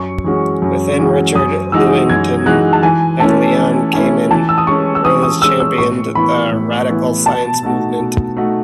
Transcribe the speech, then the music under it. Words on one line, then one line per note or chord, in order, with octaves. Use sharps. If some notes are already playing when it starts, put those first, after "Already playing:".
With Richard Lewontin and Leon Kamin, Rose championed the "radical science movement".
Already playing: F#2 C#6
E3 G#3 C#4 F#4
F#2
E3 G#3 C#4 F#4
F#2 D#6
E3 G#3 D#4 F#4 E6
F#2 G#6
E3 G#3 D#4 F#4 F#6
A5
E3 G#5
A3 C#4 E4 A5
E3
A3 C#4 E4 G#5
E3 A5
E6
D#6
G#3 C#4 C#6
E6
E3 D#6
D#6
G#3 C#4 E6
E6
A2 C#6
E3 B3 E4 B5
A2
E3 B3 E4
B2 A5
A3 D#4 F#4
B2
A3 D#4 F#4